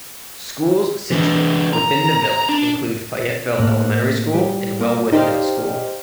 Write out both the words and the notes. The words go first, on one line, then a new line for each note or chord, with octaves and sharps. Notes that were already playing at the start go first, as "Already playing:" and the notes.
Schools situated within the village include Fayetteville Elementary School and Wellwood Middle School.
E3 D4
A#5
D4
A2 A#3 F#6
G3
A#3
D#4 G4 C5 D5 F5